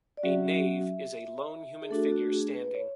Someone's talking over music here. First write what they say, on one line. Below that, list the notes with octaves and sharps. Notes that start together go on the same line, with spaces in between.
A Knave is a lone human figure standing.
D5
F#3 C#4 F#4 E5
G#4
A3 D4 F#4 A4
F#4
G#4
B4
C#5